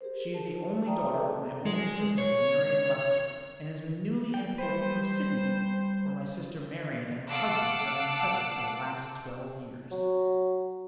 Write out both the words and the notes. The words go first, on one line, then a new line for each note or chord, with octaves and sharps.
She is the only daughter of my only sister, Marian Lester, and has been newly imported from Sydney, where my sister Marian and her husband have been settled for the last twelve years.
G4 G#4 A#4 C5
A5
D5 E5 G5 A#5 D#6
G#4 A4 B4 D#5 A5 A#5
G#3
C#5
G5
G3 B4 C5
A4 F5 F#5 A5 D6 E6
F#3